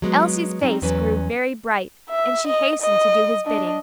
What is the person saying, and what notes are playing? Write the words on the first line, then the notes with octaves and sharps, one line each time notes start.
Elsie's face grew very bright, and she hastened to do his bidding.
F#3 G#3 B3
F#3 G3 C4 D#4
E2 F#3 C#4 B4
E5
D#5
D#5
D4 D#5